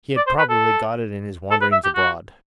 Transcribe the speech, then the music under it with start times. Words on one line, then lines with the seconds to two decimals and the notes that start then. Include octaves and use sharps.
He had probably got it in his wanderings abroad.
0.17 D5
0.27 C5
0.39 B4
0.50 A4
1.51 A4
1.61 B4
1.72 E5
1.84 G4
1.95 F#4